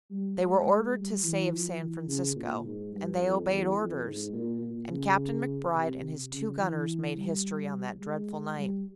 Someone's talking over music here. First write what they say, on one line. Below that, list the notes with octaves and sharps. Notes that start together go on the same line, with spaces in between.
They were ordered to save San Francisco, and they obeyed orders, and Captain MacBride and his two gunners made history on that dreadful night.
G3
G#3
G#3
G3
E3
F3
E3
C#3
A#2
G#2
G2
F2
E2
F2
G#2
A#2
A#2
C#3
C3
C#3
E3
G3
G#3
G3